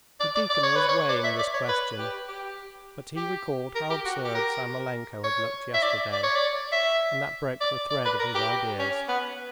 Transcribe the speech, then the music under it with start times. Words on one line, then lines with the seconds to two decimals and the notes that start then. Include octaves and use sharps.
The deacon was weighing this question, but he recalled how absurd Samoylenko had looked yesterday, and that broke the thread of his ideas.
0.20 D5
0.35 D5
0.50 D5
0.63 C#5
0.76 B4
0.89 C#5
1.09 D5
1.24 E5
1.39 D5
1.53 C#5
1.68 B4
1.98 G4
2.27 G4
3.16 G4
3.75 A#4
3.90 G4
4.05 F#4
4.25 G4
4.35 A#4
5.24 C#5
5.74 E5
5.83 D5
6.13 D5
6.23 C#5
6.35 D5
6.72 E5
7.61 D5
7.90 D5
8.05 B4
8.20 A#4
8.35 G4
8.79 C#4
9.08 B3